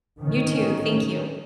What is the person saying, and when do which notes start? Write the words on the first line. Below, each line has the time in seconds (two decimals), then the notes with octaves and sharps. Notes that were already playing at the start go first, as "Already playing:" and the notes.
You too. Thank you.
0.20 D#3 C#4